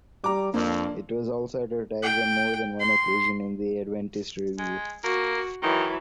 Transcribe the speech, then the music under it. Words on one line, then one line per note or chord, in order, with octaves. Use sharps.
It was also advertised on more than one occasion in the "Adventist Review".
G3 A#5 D6
F2 A#3 D4
G5
C6
G#3
A#3 F#4
D#3 E3 F#3